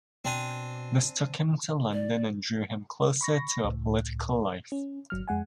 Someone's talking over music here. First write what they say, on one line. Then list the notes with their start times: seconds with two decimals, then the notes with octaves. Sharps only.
This took him to London and drew him closer to a political life.
0.25 B2 C4 D4 G#5
1.93 D5
3.21 B5 C#6 A#6
3.64 C#2 A2
4.72 C#4
5.10 G1 F#3 F6
5.28 F2 G#3 F#5 G#5